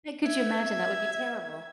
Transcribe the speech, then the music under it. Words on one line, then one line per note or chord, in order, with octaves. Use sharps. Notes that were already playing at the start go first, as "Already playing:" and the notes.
and could you imagine? That would be terrible.
E5 G#6